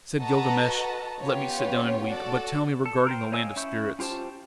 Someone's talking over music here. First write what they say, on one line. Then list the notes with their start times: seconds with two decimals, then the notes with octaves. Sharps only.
Said Gilgamesh: "Let me sit down and weep, but tell me regarding the land of spirits."
0.19 F#4 A4 B4 D#5 A5 A#5
1.20 B3 C#4 F4 G4 C#5
2.08 F#4 A4 D5
2.86 A4
3.07 A#4 C5 G5
3.32 C#5 D#5 F5 G#5 E6
3.56 C#4 E4 E5 C#6 G6
3.99 C#4 F4 G4 C5 A5